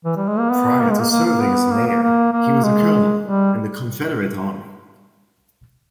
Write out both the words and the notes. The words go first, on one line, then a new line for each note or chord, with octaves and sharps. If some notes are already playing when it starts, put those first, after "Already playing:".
Prior to serving as mayor, he was a colonel in the Confederate Army.
E3
G3
G#3
A#3
B3
A#3
G#3
A#3
A#3
A#3
B3
A#3
A#3
A#3
A#3
G#3
G3